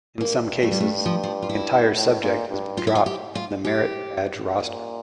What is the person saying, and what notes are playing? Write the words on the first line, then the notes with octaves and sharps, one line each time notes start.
In some cases, the entire subject has been dropped from the merit badge roster.
G2 A#3
A3
G3
A3
F3
F3
F4
E4
A2
A#2
G2
F4
E4
F4
G4
F4
G4
A#2